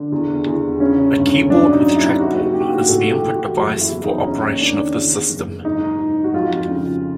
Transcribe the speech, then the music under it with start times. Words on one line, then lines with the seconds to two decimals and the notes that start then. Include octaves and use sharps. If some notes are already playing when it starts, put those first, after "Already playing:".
A keyboard with trackball is the input device for operation of this system.
Already playing: D3
0.12 E2
0.46 E2
0.80 C#3 C#4
1.16 G1
1.49 F#3 D4
1.73 D#4
1.84 D#2
1.96 E4
2.19 D#2 F#4
2.53 D#2 G4
2.60 F#4
2.68 F4
2.74 F#4
2.89 A1 A4
3.11 G4
3.23 E3
3.35 F#4
3.57 F#1 F#4
3.81 E4
3.92 E2
4.03 D#4
4.26 D#2 C#4
4.60 D#3 D4
4.96 E2
5.30 F#1
5.65 G#2 D#4
5.99 G#2
6.24 F#4
6.33 F2 F4
6.68 C#3